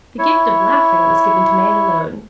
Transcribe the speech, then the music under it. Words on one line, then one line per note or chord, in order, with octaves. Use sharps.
The gift of laughing was given to man alone.
E4 C#5